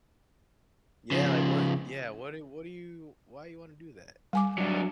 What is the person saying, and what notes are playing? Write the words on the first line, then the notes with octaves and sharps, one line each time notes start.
Yeah, like, what yeah, what do what do you why you wanna do that? I
C#3 F3
G3 G#5 D6
F#3 D4